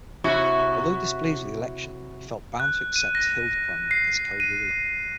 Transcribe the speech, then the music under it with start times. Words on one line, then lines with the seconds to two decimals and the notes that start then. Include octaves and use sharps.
Although displeased with the election, he felt bound to accept Hildeprand as co-ruler.
0.24 C3 E4 F#4
2.60 F#6
2.96 D#7
3.15 A#6
3.91 C7
4.40 D#7